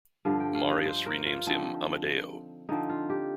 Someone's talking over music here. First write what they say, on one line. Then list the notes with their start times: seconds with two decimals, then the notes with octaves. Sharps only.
Marius renames him Amadeo.
0.25 G2 D3 F3 F5
0.40 G5
0.55 F5
0.71 D#5
0.86 C5
1.06 A#4
1.26 F4
1.46 D3 F3 C4 D#4
2.69 D3 F3 C4 D#4
2.90 F4
3.10 G4